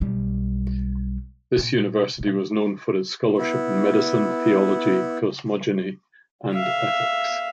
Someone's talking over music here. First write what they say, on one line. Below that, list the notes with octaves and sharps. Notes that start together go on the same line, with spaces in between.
This university was known for its scholarship in medicine, theology, cosmogeny and ethics.
B1 G3
A#2
B2
B3 E4
E5 F5